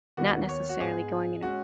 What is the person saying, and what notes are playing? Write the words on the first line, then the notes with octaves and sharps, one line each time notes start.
not necessarily going in a
D#2 D#3 B3 F#4
F#4
C#5
F#4
G#2 G#3 B3 G#4
G#3 C#4 F#4